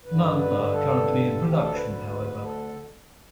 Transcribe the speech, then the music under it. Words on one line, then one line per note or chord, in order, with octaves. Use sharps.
None are currently in production however.
G2 D3 B4
B4
A4
D2 D3 G4
A4
B4
B4
B4
A4